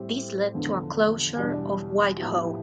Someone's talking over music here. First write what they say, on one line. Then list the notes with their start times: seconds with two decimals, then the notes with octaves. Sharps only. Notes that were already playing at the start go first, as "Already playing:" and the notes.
This led to a closure of Whitehall.
Already playing: A2 G3 C4 G4
0.54 E2 D3 F3 B3
1.36 E2 B2 G3 D4
2.18 A2 F3 B3 E4 G4